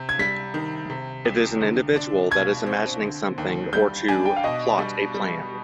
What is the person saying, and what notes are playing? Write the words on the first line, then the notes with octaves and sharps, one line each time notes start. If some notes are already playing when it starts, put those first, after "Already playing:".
It is an individual that is imagining something or to plot a plan.
Already playing: C3
G#6
G3 B6
D#3
C3
C2
D3
D4
B2 G#6
C4
D3
D#2
G3 G6
D4 G#5
G5
F5
B2 D#5
G3
G3